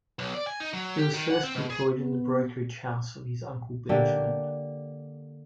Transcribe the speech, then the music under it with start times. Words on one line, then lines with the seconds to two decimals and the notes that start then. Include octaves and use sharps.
He was first employed in the brokerage house of his uncle Benjamin.
0.19 B1
0.35 D5
0.47 G#5
0.60 D#4
0.73 F#3
0.98 G4
1.14 D#3
1.31 F#5
1.43 C4
1.55 B2
1.70 G#4
1.95 B3
3.89 D3 A#3 D4 G4